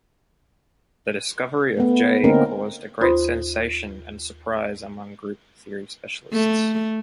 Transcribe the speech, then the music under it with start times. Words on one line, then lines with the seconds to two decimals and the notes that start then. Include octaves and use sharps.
The discovery of "J" caused a great "sensation" and "surprise" among group theory specialists.
1.77 A3 B3
2.24 D3 A#3 C4 C#4 D#4 A#4
3.01 D#2 F4 C5 B5 C6 D#6
6.33 A3